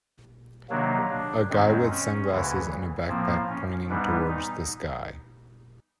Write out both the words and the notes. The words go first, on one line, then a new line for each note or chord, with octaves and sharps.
A guy with sunglasses and a backpack pointing towards the sky.
C3 D#3 F#3 A#3 D4
D4
F#2 D#3 G#3 C4
C#4
D2 C#3 E3
A2 F3 A#3 C4
C#4
G#2 E3 G3 B3 D4
D#4